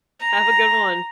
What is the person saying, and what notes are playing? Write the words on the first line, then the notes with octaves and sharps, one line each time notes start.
Have a good one.
A#5